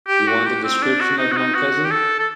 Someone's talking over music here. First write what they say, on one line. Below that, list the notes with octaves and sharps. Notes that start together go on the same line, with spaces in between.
You want a description of my cousin?
G4
F#4
G4
C4
D4
F#4
D#4
F#4
D#4
F#4
G4
A4
A4